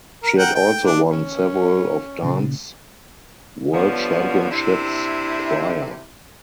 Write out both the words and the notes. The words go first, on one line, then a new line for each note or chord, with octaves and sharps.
She had also won several of dance world championships prior.
A#4
A#4 F#5 G5
G5
D4
C#4
A#2 C#3
D3 F3 G3 B3 C#5
C3 D4 E4